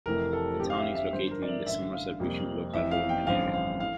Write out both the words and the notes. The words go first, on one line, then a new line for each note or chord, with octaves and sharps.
The town is located in the Somerset Region local government area.
F1 F2 C3 E3 A3 A#4
A4
F2 D3 F3 G4
F5
E5
E5
G2 D3 F3 C5
A#4
D5
E5
A1 G2 D3 E5
F5
F2 C3 G3 A#3
F1 F2 E3 E5
F5
G5
A1 G2 D3 F3 C4 F5
F5
E3 A3 F5